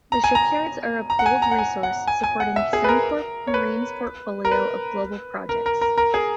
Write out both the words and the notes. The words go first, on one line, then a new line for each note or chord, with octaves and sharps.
The shipyards are a pooled resource, supporting Sembcorp Marine's portfolio of global projects.
A#5
G#5
A#5
A#5
F#5
G#5
A#5
F#5
G#5
F#5
G#5
G#5
F#5
E5
G#4
B4
A#4
C#5
B4
A#4
B4
A#4
A#4
A#4
A#4
G#4